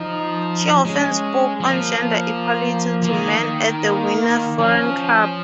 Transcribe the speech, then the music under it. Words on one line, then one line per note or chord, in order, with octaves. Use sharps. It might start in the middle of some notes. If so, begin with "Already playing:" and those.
She often spoke on gender equality to men at the Wiener Frauen Club.
Already playing: F3 D#4
G#3 C#4
F3 A#3
F3
D#3
A#3
F3 C#4